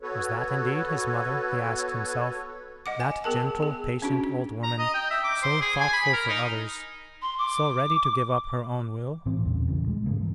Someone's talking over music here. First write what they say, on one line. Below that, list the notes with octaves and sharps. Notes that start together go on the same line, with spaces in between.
Was that indeed his mother, he asked himself, that gentle, patient old woman, so thoughtful for others, so ready to give up her own will?
B3 F#4 A4 B4 C#5
D#5 F#5 D6
G#5
B3 G#4 A#4 A5
G#4
C#4 D4 F#4
A#5
D#5
G5
E5
D6
C5
G#4
G#5
B5
A#4
D#4
C6
D6
A2 E3 C4
E2 A#2 C#3
A#2 C#3 E3
G#3
G#2 C#3 A#3
E3 F3